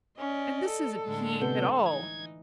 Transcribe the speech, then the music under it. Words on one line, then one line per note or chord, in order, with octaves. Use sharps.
And this isn't he at all!
C#4 D5 D#5
A4
A2 D3 G#3
C3 B3 G6
E3 D#4 G#6